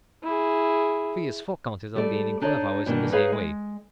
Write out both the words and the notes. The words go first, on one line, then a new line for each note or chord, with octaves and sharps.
Phileas Fogg counted on gaining twelve hours in the same way.
E4 G#4
G3 A3 A4 D5
D4 D#4 C#5 D5
G2 B2 D#3 E3 A#3 D4
D#4 G#4 B4 C#5 F5
G#3